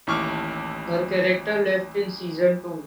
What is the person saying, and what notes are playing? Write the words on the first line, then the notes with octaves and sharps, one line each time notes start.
Her character left in season two.
A1 D#2 E4 C#6 D6 F6